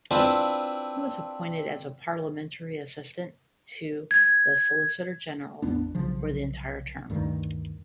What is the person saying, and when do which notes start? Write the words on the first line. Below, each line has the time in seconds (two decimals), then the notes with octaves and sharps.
He was appointed as a parliamentary assistant to the Solicitor-General for the entire term.
0.11 C4 D4 E4 F4 B4
4.11 G#6
5.62 A1 E2 B3 D4
5.95 B1 C#3 F3
7.10 D2 G2 D#3